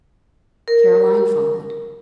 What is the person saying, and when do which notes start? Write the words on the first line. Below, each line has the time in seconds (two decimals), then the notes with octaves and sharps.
Caroline followed.
0.68 A#4